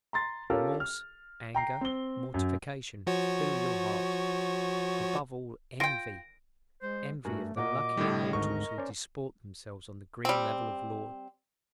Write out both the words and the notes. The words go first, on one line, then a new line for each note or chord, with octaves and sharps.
Remorse, anger, mortification, fill your heart; above all, envy--envy of the lucky immortals who disport themselves on the green level of Lord's.
A#5 C6 A6
C#4 F4 G4 A4 A#4
F6
G5 A#5 C7
C4 G7
F#2
F3 F#4 C#5
F4 G5 A#6 D7
G#3 C5
G2 A3 F#4 A#4 G#5
A#2 F#4 A#4 D#5 D6
A2 D3 G3
G#1 D2 G#2 A#4 C#6
C#4 C5 D5
G3 C4